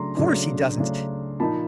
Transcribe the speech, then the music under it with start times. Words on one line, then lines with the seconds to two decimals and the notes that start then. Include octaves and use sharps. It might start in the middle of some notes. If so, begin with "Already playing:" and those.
Of course he doesn't.
Already playing: C#3 F#3 A3 D4 A#5 C6
0.17 C#3 F#3 A3 D4
0.78 C#3 F#3 A3 D4
1.40 A#2 F3 A#3 D#4 A5 B5